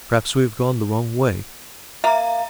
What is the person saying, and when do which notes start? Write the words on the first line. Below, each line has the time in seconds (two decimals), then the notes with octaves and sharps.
"Perhaps we have gone the wrong way."
2.04 A#3 E5 A#5